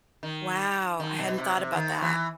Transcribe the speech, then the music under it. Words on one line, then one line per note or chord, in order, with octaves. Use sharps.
Wow, I hadn't thought about that.
D#3
D#3
B2
C3
C3
D#3
E3